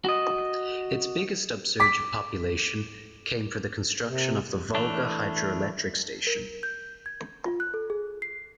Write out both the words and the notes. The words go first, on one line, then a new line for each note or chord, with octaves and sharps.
Its biggest upsurge of population came for the construction of the Volga Hydroelectric Station.
F#4 D#5
D6 B6
C3
E3 A3 D4
A#4
G6
G#6
F4
F#6
A4
G#4
C7